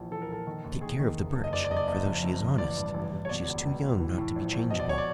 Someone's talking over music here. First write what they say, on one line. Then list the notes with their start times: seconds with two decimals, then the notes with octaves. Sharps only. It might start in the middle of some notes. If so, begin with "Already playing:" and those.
Take care of the Birch, for though she is honest, she is too young not to be changeable.
Already playing: A#1 E3
0.11 E3 A4
0.22 A#4
0.28 A#1 A4
0.47 D#3
0.64 D#2
0.81 D#3 G#4
0.99 D#3
1.17 F#1
1.36 F#1
1.44 D#5
1.53 F#1 D5
1.64 D5
1.71 F#1 D#5
1.77 D5
1.88 F#1 D#5
2.05 F2
2.23 F2
2.41 F#1
2.58 A1 D5
2.77 G2
2.94 A1
3.12 A1
3.25 C#5
3.29 B2 D5
3.47 C#2
3.65 C#2
3.82 B2
4.00 E3
4.18 A2
4.36 A#1
4.53 A#1
4.71 B2 D#5
4.80 D5
4.89 C#5
4.98 D5